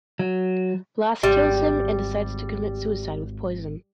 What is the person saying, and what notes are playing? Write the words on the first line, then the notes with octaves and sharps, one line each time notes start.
Blas kills him and decides to commit suicide with poison.
F#3
G#1 G3 G4